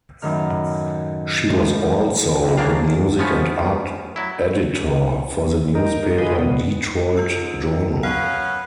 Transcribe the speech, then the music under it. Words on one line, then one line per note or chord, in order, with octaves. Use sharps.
She was also the music and art editor for the newspaper "Detroit Journal".
F#2 A2 D#3 F6
A2 F3 G#3
B1 G2
C2 C#3 A#3 D4 F5
E2
F3 A3 B3 C#4
F#3 E4
D#4 A#4
F4 G#4 B4 D#5
B2 B3
G#2 F4 E6
F#2 B3 C#4 B4 F5 F#5